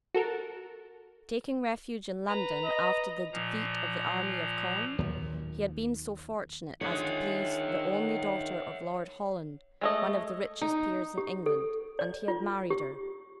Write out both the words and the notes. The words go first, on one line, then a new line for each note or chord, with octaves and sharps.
Taking refuge in London after the defeat of the army of Conde, he had been so fortunate as to please the only daughter of Lord Holland, one of the richest peers in England, and he had married her.
F#4 A4 A#4
B4 A#5
D#5
A#2 F3 A#5
D#2 A#2 F#3
D3 D#3 G#3 F4 C#5 E5 F#5
G#3 A3 D#5
D#4
G4
A4
D5
F4
G4